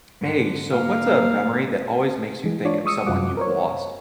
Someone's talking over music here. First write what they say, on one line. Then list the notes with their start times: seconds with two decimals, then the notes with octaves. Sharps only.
Hey, so what's a memory that always makes you think of someone you've lost?
0.21 G#2 D3 C#7
0.72 A#3 F5
2.44 E3 G#3
2.65 D4 F4 C#5 D5
2.85 G#3 C#6 D#6 E6 C#7
3.06 F#2 C3 F4 F#4 F#5 D6
3.37 A#4 C5 C#5